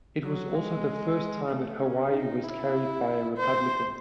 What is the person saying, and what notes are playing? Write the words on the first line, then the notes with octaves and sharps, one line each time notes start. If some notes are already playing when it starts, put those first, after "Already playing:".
It was also the first time that Hawaii was carried by a Republican.
F#3
G#3
A3
C#4
D#4
E4
C5